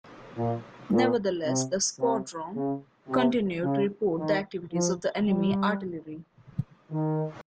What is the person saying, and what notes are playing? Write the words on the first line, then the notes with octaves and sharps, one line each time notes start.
Nevertheless, the squadron continued to report the activities of enemy artillery.
A#2
A#2
C3
C3
C#3
C3
C#3
D#3
F3
G3
D#3